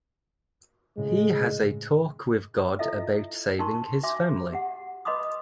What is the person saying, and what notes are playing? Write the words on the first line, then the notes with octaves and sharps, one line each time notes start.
He has a talk with God about saving his family.
A2 C#3 G#3
E4 F4 A4 D#5 E5
D#4 A#4 A5 C6 C#6
F#4 E5 G#5 C6 D6
G4 F#5
B4 D#5 B5 C6 D6 D#6